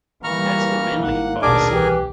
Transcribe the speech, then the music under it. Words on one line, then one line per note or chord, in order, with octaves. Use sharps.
That is the manly policy.
E3 G3 A#3 A#5 C#6 F6
G#1 F#5
A1 D#2 B2 D4 G#4 A#4 G#5 D6
C2 E3 G4